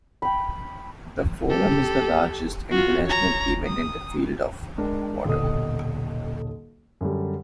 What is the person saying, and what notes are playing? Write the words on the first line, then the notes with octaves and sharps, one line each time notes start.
The Forum is the largest international event in the field of water.
G5 B5
G4 A4
F4 F#4
C#5 A#5
D#6
G#3 D4 A#4
D#1 B1 D3 A4 D#5 D#6
F#2 D3 G3